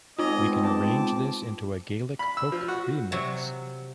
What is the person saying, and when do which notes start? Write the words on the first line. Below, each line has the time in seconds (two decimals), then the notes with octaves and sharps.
We can arrange this into a Gaelic folk remix.
0.18 G#3 B3 C4 D#4 F4 D#5
0.63 A5 D6
2.19 B5
2.37 E6
2.52 F3
2.68 F#4
3.12 C3 F#3 F#4